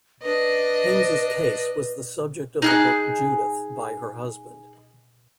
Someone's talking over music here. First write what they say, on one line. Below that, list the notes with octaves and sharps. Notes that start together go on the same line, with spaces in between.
Haimes's case was the subject of the book "Judith" by her husband.
D4 B4 D#5
D#4 G#4 F#6